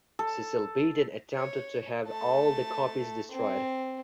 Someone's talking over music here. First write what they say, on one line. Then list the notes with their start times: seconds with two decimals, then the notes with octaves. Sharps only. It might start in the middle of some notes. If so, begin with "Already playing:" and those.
Cecil Beaton attempted to have all the copies destroyed.
0.19 A4
1.34 C#5
2.06 A3 A5
3.31 C4